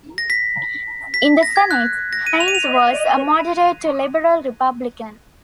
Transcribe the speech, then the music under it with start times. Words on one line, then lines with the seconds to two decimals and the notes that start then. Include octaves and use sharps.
In the Senate, Heinz was a moderate-to-liberal Republican.
0.18 A#6
0.30 B6
1.14 B6
1.43 A#6
1.56 G#6
1.71 F#6
2.13 A#6
2.27 D#7
2.40 F7
2.48 D#7
2.55 F7